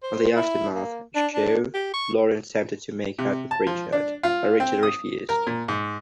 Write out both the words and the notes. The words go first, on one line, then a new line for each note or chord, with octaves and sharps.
On the aftermath show, Lauren attempted to make out with Richard, but Richard refused.
C5
E4
A#3
D4
D4
G4
C#6
C3
A5
F3
D4
F4
C4
D#6
A#4
A#2
G#2